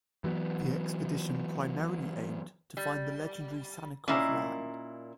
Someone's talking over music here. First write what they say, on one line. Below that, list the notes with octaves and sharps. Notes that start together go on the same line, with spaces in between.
The expedition primarily aimed to find the legendary Sannikov Land.
E3 F#3 G#3 B3
G3
A#2 A#3 C#4 D#4 E4